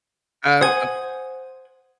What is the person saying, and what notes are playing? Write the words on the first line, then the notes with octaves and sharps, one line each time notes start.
Um, uh
C5 F#5 G#5 D#6 G#6 D#7